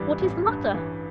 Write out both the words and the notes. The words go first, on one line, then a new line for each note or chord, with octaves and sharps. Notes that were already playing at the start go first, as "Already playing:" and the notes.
'What is the matter?
Already playing: A1 G2 E3 G3
A1
G2
E3